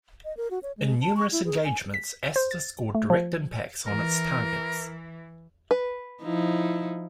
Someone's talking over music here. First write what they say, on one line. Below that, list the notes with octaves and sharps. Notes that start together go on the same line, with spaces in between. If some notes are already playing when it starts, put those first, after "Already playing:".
In numerous engagements Aster scored direct impacts on its targets.
D#5
A#4
F#4
C#5
G#3
A5
C#6
E4
G#4
G#5
B6
C5
A6
A3
F3
E3 A#4
B4
F3 D#4 E4